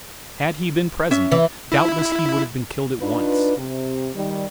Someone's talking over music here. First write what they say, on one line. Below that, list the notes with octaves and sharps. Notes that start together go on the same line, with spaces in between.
Had he been present, doubtless he would have been killed at once.
C#4 E5
E3
E4
D4 D#4 F4 B4
C3
D#3 G3